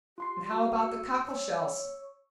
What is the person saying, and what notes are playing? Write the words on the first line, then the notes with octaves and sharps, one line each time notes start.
"And how about the cockle-shells?"
F4 G4 C6 C7
F#4
C#6 E6
C#5